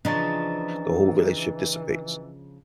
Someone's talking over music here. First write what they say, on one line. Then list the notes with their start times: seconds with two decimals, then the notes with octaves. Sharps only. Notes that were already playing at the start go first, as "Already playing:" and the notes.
the whole relationship dissipates.
0.05 C#3 E3 F3 D4 D#5 A#5 A6